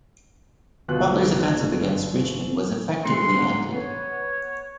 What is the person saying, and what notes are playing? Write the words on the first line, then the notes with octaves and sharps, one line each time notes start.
Butler's offensive against Richmond was effectively ended.
G1 B2 F4 F#6
G2 G#3 C6 C#7
D2 G#2 D3
B3 C#5